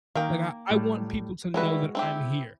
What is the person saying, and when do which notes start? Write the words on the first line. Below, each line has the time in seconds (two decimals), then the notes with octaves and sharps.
like, I I want people to know that I'm here.
0.15 D#3 A#3 A#4 G5
0.70 A2 G3
1.54 G3 G#3 E4 F#4 B4
1.95 C4 E4 G4